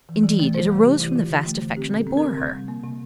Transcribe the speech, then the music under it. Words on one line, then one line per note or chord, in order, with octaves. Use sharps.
Indeed it arose from the vast affection I bore her.
E3
E3
A3
C3 C5
G3
C3 G4
E3 E4
D3 F4
D3
A3
D3
C4 G4
A#2
A4
C4
A#4
C4
C3
G3
A#3
C3